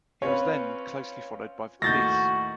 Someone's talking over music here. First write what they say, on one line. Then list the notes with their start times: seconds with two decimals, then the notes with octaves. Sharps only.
He was then closely followed by the police.
0.22 C4 C#4 F4 B4 C#5
1.82 D#2 A2 A3 F#4 G6 A6 A#6